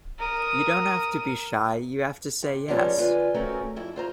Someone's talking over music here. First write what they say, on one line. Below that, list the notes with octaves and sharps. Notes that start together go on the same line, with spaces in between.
You don't have to be shy, you have to say yes.
A#4 D#6
C3
F3 G3 G#3 B3 C#4 D#4
D3 F4 B4 G#5
A3 C4 C#4 F#4 A#4
F2 E4
F4 C5 A#5